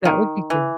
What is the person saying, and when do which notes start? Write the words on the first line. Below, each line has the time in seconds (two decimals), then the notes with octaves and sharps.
That would be good.
0.05 D#3
0.50 E3